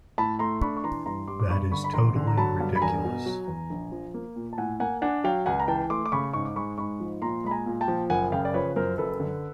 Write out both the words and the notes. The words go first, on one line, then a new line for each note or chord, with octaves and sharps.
That is totally ridiculous.
A2 A5 B5
A3 A#5 C6
D4 B5 C#6
C#6
E3 A#5 C6
G2 A#5 C6
G3 C6 D6
D6
G2 B5 C#6
D3 B5 C#6
B5
A1 A#5 C6
D3
A#5
F#3 A5 B5
G2
B5
E1 G#5 A#5
B2
F#3
E2
A#1
F3
A#3
A#2
A5
A2 F#5 G#5
A#3 F#5 G#5
D4 F#5 G#5
F#3 F5 G5
C#2 F#5 G#5
A#5
E3 G5 A5
A3 C6 D6
D6
C#3 B5 C#6
G#2 C#6
D6
G#3 B5 C#6
G#2 B5 C#6
F3
A#2 A#5 C6
G#3 B5
G#5 A#5
A#2
G5 A5
F3
F#1 F#5 G#5
C#3 F5 G5
D5
F3 B4 C#5
F#2 A#4 C5
F#1 A4 B4
D3